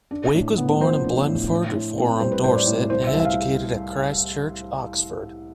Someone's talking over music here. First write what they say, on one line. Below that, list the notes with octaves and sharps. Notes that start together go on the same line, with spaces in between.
Wake was born in Blandford Forum, Dorset, and educated at Christ Church, Oxford.
D4
A2
B3
F3 C5
D4
A2
A2
A2
C4
G3 C5
B4
A2 C5
D5
A2
C2 C5
E5
C2
E5
F5